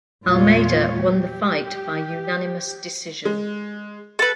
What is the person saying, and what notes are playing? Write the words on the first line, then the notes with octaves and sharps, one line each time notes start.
Almeida won the fight by unanimous decision.
E2 A#2 G#3 F4 C#5
G4
G#3
A4 B4